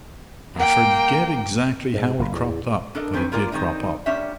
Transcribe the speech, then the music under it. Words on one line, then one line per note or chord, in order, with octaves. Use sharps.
I forget exactly how it cropped up, but it did crop up.
A#3 G5
G#2
F#1
E2
D4 A4 A#4 D#5
D#3 C4 C#4 F4 B4 G#5
A#3 F4 A#4 D5 G#5
D3 D#3 C4 D#4
A#2 G3 C#4 D4 E5